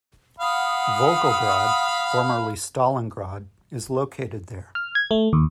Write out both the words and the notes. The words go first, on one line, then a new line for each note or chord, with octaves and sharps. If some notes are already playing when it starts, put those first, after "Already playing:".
Volgograd, formerly Stalingrad, is located there.
F5 F#5 B5 D#6
F6
G#6
A3
D#2